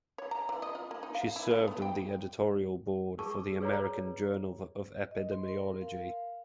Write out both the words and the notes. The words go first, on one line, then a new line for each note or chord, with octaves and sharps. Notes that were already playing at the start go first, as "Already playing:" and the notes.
She served on the editorial board for the "American Journal of Epidemiology".
C#5
A#5
E3
D#5
F4
A#3
D#4
F5
E4
A3
B3
G5
G#4 A#4 A5 C#6
G#4 B4 C#5 D5 A#5
D#5
C6
A#4
F5